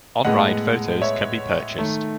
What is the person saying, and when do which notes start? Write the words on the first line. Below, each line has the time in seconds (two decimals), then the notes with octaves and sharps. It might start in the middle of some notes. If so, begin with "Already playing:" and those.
On-ride photos can be purchased.
0.25 A2 G#3 B3 D#5 F#5
1.01 C#5 E5
1.78 D#3 A3